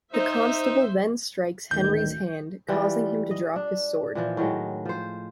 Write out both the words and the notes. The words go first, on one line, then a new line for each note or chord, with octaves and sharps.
The Constable then strikes Henry's hand, causing him to drop his sword.
D#4 C5 E5
A1 D2 D#3 G6
E3 G3 F4
D#5
D4
A#2 E3 F3
A2 D#3 F#3 G#3
F3 C5